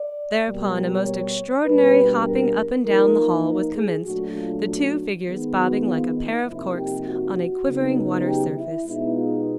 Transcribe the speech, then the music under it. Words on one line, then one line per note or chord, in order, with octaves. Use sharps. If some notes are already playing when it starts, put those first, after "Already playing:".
Thereupon a most extraordinary hopping up and down the hall was commenced, the two figures bobbing like a pair of corks on a quivering water-surface.
Already playing: D5
B2 G3 A#3
C#5
B2 G3 A#3 D4 B4
A#4
F3 A#3 D#4 A#4
A#4
G#4
A#2 F#3 A3 D4 F#4
F4
F#4
D#3 G#3 B3
F#4
F4
D#4
C3 F3 A#3 D#4 E4
G4
F#4
C#3 F#3 B3 D#4
G4
E4
B2 G#3 B3 D#4 E4
F4